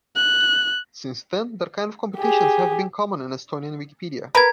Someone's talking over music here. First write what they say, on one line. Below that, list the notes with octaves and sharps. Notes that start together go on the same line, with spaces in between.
Since then that kind of competitions have been common in Estonian Wikipedia.
F#6
G4 G#4
A#4 B4 A#5 G#6